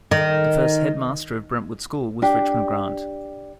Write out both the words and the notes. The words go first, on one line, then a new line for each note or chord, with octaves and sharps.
The first Headmaster of Brentwood School was Richman Grant.
D#3
D4 G4